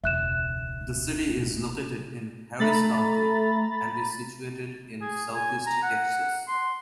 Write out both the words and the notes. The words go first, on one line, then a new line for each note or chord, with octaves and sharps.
The city is located in Harris County and is situated in Southeast Texas.
E1 C#2 E5 F#6 E7
A3 A#5 B5 A6
G#4
G#5
A#5
F#5
C6